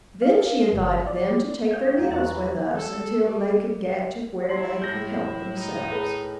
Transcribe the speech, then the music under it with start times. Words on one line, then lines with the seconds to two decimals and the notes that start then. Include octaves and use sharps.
Then she invited them to take their meals with us until they could get to where they could help themselves.
0.22 F5
0.73 G1
1.07 D5
1.71 C#5 F5 G5 D#6 G6
1.99 E2 G#3 A#3
2.12 F4 D5 D#5 F5 A#5 C#6 F#6
2.28 E3 G4 A#4
2.75 A4
3.23 G3
4.49 F#3 E4 C6 C7 F#7
4.82 A2 G6 A#6 F#7
5.57 D#4
5.91 G#4 A4 B4